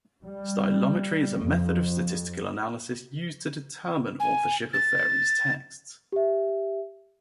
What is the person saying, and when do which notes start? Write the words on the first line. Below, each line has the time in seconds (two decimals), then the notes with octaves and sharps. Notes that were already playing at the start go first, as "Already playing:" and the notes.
Stylometry is a method of statistical analysis used to determine authorship of various texts.
0.23 G3
1.37 F2
4.20 G#5
4.73 A6
6.12 G4 E5